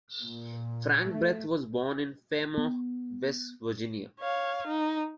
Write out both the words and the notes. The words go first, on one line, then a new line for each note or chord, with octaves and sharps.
Frank Breth was born in Fairmont, West Virginia.
A#2
A3
B3
C#5 F5
D#4